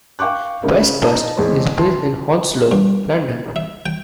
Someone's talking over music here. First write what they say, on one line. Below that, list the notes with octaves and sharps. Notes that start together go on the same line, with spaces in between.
Westbus is based in Hounslow, London.
F5 G5 C#6 D6 F#6
C#3 G#3 A#3 E4
C#3
D#4 D#5 A5 A#5
E2 A2 G#3 C4
E3 A5 C6
G2
E5
G5